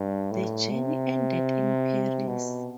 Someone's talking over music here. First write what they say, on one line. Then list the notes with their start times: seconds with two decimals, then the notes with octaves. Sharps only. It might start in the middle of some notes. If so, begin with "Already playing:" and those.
The journey ended in Paris.
Already playing: G2
0.32 A2
0.70 C3
2.27 B2